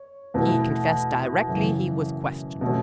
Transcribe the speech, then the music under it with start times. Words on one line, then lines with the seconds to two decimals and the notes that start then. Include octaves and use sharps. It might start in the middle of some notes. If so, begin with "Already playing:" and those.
He confessed directly he was questioned.
Already playing: C#5
0.34 E2 B2 A3 E4 B4
1.48 F#2 C#3 E3
2.61 B2 A3 C#4